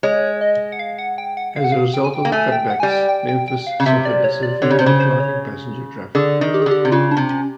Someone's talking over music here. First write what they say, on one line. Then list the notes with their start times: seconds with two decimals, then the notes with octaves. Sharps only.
As a result of the cutbacks, Memphis suffered a severe decline in passenger traffic.
0.03 G#3 C#5
0.41 D#5
0.72 F#5
0.79 F5
0.98 F#5
1.18 G5
1.37 F#5
1.56 F5
1.64 F#5
1.72 F5
1.94 G5
2.04 G#5
2.14 G5
2.25 A#3
2.32 A3 G#5
2.52 G5
2.70 F#5
2.80 G3 G#5
2.90 G5
3.09 G5
3.28 G5
3.48 G5
3.67 F5
3.80 C#3
3.86 C3 E5
4.05 D5
4.24 C#5
4.43 D5
4.62 D3 C#5
4.70 C#3
4.79 C3 C5
4.86 C#3
5.00 C5
5.20 C#5
6.15 D3 G#4
6.41 D#3
6.54 G4
6.62 G#4
6.66 D3 G4
6.85 C3
6.91 C#3 F4
7.11 D4
7.17 C3
7.30 C#4